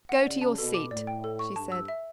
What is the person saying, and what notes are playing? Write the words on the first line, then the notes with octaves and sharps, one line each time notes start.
"Go to your seat," she said.
F#5
C#3 D5
A5
B2 A4
D6
A2 D5
G5
A4
C#6
G2 A5
E6
E5